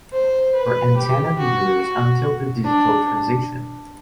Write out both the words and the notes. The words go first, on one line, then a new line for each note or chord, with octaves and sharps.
For antenna viewers, until the digital transition.
C5
B4
G4
F#4
F#4
D4